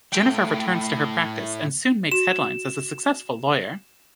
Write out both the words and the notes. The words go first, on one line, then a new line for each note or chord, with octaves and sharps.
Jennifer returns to her practice and soon makes headlines as a successful lawyer.
A2 G5
F#4 E7